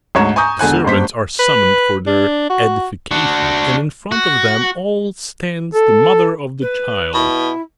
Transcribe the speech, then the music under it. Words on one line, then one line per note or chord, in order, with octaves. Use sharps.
The servants are summoned for their edification, and in front of them all stands the mother of the child.
D2 G#2 C#5 A#5 E7
G#5 A#5 C#6 D#6 G6
E1 D3 G#5 F#6
F#1 G2 C5 B6
B4
D4
F#4
D4 F#4
F#4
A4
B4
B2 E4